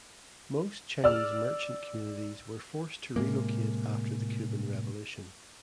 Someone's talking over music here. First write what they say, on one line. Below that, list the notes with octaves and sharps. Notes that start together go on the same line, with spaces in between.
Most Chinese merchant communities were forced to relocate after the Cuban Revolution.
D5 E6 F6
A2 C3 G#3 A#3